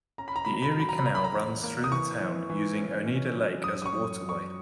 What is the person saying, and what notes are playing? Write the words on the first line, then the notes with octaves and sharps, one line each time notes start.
The Erie Canal, runs through the town, using Oneida Lake as a waterway.
C#4 A#5
B5
A#5
B2 B5
A#5
B5
A#5
F#3 B5
A#5
B5
C#3 A#5
B5
A#5
E2
A#3
D#6
E3 C#6
E3
E3
C#4
C#4
F#3
F#2 D#6
D#6
C#6
F#2
F#2
C#6